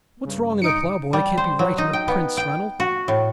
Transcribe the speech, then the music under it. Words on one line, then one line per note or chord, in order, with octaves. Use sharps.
What's wrong in a ploughboy can't be right in a prince, Ranald.
G2 C#3
D#4 C#7 D7
G3
C5
F#3
D#4
G5
B3
G5
F#4
A2